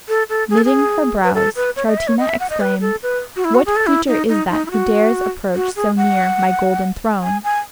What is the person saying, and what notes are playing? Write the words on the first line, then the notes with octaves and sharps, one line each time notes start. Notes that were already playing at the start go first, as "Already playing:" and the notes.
Knitting her brows, Troutina exclaimed, "What creature is that who dares approach so near my golden throne?"
A4
A4
G#4
A4
G#4
B4
A4
B4
C#5
D#5
E5
C#5
D#5
E5
F#5
D#5
B4
A4
B4
F#4
E4
F#4
G#4
A4
E4
D#4
D#4
D#4
E4
F#4
F#4
G#4
F#5
G#5
G#5